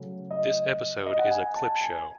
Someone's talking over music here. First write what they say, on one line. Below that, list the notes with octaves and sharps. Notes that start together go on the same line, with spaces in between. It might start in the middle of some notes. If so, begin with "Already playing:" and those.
This episode is a clip show.
Already playing: C#3 F#3 A3
D#5
D#5
F#5
G#5
A5
G#5